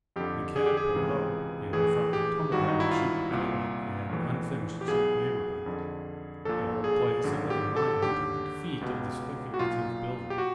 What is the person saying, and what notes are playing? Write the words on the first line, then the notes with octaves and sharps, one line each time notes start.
The cab pulled up in front of a tumbledown cheap 'villa' in an unfinished cheap neighbourhood,--the whole place a living monument of the defeat of the speculative builder.
F2 D3 G4
G#4
G4
G#4
C#2 C3 E3
A#1 A2 E3 G#4
G4
G#1 G2 D#3 F#4
D#4
E4
F4
C2 A#2
A#1 A2 E3
G4
B1 B2 G#4
F2 D3
A#1 A#2 A4
G#4
G#1 F#2 D3
G4
A4
D#2 D3 G4
C#2 B2
F#4
B1 A#2 F4
G4
F#4